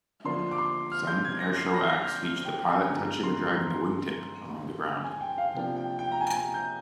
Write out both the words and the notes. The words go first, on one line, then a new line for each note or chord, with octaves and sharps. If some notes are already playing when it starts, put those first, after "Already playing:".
Some airshow acts feature the pilot touching or dragging the wingtip along the ground.
D3 F3 A#3 D4 C6
D6
C6
F6
G6
G#6
A#6
C7
A#6
C7
A#6
F6
G6
F6
G5
G#5
G2 D3 G#3 A#5
A#5
C6
A#5
G#5
G5
F5
C3 F3 A#3 D4 G5
G5
G5
A#5
G#5
A#5
G6